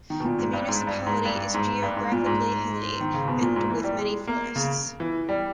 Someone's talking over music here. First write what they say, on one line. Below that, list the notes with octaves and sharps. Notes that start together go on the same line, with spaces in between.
The municipality is geographically hilly and with many forests.
D#3
B2
A#2
G#2
G2
G#2
G2
G#2
G2
G#2
G2
G#2
A#2
G#2
D#3
C#3
B2
A#2
G#2
E3
G3
G#3
A#3
C#3
E3
G3